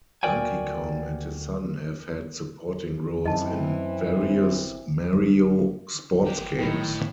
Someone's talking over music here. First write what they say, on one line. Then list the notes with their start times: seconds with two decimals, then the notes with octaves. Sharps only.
Donkey Kong and his son have had supporting roles in various "Mario" sports games.
0.23 D2 F#4 A#4 D5 G5 G#5
3.25 F#2 E3 C4 D#5 A5
6.27 E3 G4
6.59 A2 D#3 E4 G5